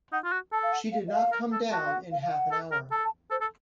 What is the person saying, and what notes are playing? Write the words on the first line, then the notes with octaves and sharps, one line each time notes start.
She did not come down in half an hour.
D#4 F#5
F4
F#4
A4 A5
F5
F#5
F5
D#5
F5
A#4
A4
F#4 A5
F5
F#5
F5
F5
F#5
A4
A#4
A4 A5
A5
A4 C5
A4